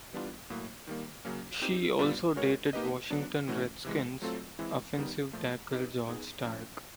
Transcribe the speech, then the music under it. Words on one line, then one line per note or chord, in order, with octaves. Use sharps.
She also dated Washington Redskins offensive tackle George Starke.
E3 G3 B3 D4 F4
A2 F#3 A#3
D#3 G3 A#3
C#3 F#3 A#3 C#4
C4 D#4 G4
A#2 G3 B3 D4 F4
G#3 C#4 F#4 A#4 C#5
A#3 D#4 G4 B4 D#5
F#3 B3 D4
A2 E3 A3 C#4 F#4
C3 E3 G#3
F#3 A3 C4 F4 A4
E3 G#3 C4 E4
D#3 G3 B3 D#4
A#2 F3 A3
C4 D#4 G4 B4 D#5
B3 D#4 G#4
A2 F3 A3 C#4